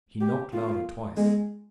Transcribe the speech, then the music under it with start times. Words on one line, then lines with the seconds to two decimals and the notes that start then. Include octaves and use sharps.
He knocked louder twice.
0.21 G4
0.53 F4
1.17 G#3